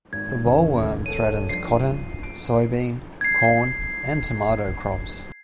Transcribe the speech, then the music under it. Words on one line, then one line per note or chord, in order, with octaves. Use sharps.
The bollworm threatens cotton, soybean, corn and tomato crops.
G#1 G#6
D#2 G#2 C#3
A4 C#5 D#7
G2 F3 C7
D7
G#6 C7